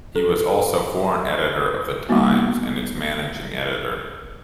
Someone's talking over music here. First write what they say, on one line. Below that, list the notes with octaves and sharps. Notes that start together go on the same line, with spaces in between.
He was also foreign editor of the Times, and its managing editor.
A4
G3 A#3 B3 D#4 F#4